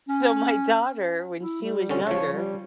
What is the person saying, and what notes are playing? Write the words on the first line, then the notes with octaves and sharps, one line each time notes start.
So my daughter, when she was younger,
C#4
E4
G3
D3 C4 C#4
C#3 F3 C#5
G3